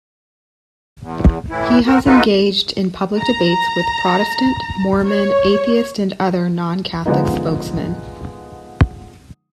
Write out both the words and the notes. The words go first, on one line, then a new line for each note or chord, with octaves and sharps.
He has engaged in public debates with Protestant, Mormon, atheist, and other non-Catholic spokesmen.
E2
A2 E3 E4
C4 F#4 A#4
D#4 F4 F#4 A4 B4
A#5
C#5
D3 F3 G#3 B3 D#4